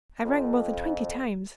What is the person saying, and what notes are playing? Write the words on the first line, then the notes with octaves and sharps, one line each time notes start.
I rang more than twenty times.
F2